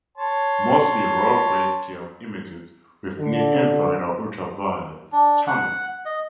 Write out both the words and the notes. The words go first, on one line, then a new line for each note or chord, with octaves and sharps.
Mostly raw greyscale images with near infrared or ultraviolet channels.
C#5 A5 C6
D3
D4
F#5
D#5